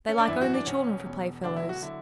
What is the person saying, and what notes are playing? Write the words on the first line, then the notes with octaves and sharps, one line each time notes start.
They like only children for playfellows.
C#4
D4
G#1 F#2 E3 E4
F#4
D4
E1 E2 B2 C#4
E1 E2 B2
E1 D2 D3 F#3 D4
E4
F#4
D3 F#3 E4